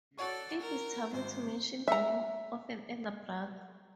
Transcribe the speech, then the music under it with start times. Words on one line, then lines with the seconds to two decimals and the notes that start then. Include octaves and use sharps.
It is taboo to mention the name of an elder brother.
0.18 F#4 A4 C#5 D5 C#6
0.59 A#4
1.13 G#1 C5
1.88 E5 A#5